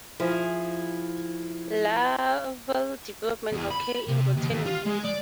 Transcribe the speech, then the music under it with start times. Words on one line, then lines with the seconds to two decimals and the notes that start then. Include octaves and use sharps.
Larval development occur in rotten wood.
0.20 F3 E4 G#4
3.52 E2
3.71 B5
4.08 C3
4.37 D#2
4.52 D#2
4.66 F4
4.86 G#3
5.05 D5